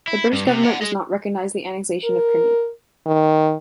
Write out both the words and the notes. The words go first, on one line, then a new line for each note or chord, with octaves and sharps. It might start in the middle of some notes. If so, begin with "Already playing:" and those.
The British government does not recognise the annexation of Crimea.
E4
G2
C3
F#5 A5
G#4 D#5
A#4
D#3